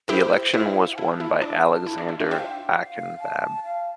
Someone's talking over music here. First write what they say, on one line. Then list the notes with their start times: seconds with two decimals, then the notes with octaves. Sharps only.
The election was won by Alexander Ankvab.
0.09 E4 G4 C5
0.54 E4 E5
0.75 F5
0.97 E4 A5
1.20 E4
1.42 D4
1.86 E4
1.98 D4
2.09 E4
2.20 D4 F4
2.31 C5 E5 G5
2.40 F5
2.48 G5
2.75 F5
3.20 A5
3.64 F5